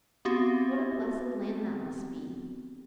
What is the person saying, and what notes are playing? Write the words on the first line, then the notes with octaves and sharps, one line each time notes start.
What a blessed land that must be!
B3 C4 F#4 G4